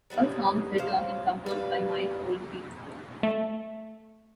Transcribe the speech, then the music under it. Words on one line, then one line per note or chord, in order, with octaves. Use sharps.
All songs written and composed by Mike Oldfield.
F#3 G3 B3 D#4
F#3 C5 F5
G3 B4 F5
A3